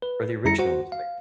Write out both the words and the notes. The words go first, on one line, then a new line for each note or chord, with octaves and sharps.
or the original was live?
B4
F#2 G3 E4 A#5 A#6 C#7
F#4 C5 F#5
F5